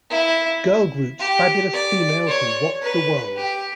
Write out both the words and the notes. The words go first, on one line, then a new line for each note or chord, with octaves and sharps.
Girl Groups-Fabulous Females Who Rocked The World.
E4
G4
D5
C#5
B4
G4